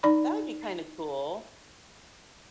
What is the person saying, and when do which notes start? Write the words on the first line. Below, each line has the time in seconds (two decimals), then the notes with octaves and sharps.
That would be kinda cool.
0.03 D#4 D5 B5